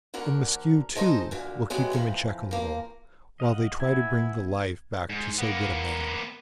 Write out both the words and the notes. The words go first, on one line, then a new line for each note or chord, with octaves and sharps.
And Maskew, too, will keep them in check a little, while they try to bring the life back to so good a man.
D2 D3 A#4 F#5
G#3 D#4 A4 C5 D#5
F#2 A#2 D3
C3 F#3 G#3 B3
F2 E3 F3
F3 A#3
D#5 F5 F#5
B3 E4 G#5
G#2
A#3 B3